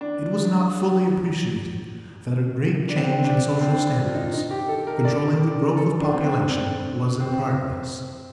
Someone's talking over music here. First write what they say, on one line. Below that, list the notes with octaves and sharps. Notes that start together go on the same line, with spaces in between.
It was not fully appreciated that a great change in social standards, controlling the growth of population, was in progress.
D4
D4
C4
C4
D4
C4
D4
F4
D#4
D#4
G4
A4
A#4
D5
A4
D4
C4
D4
C4
C4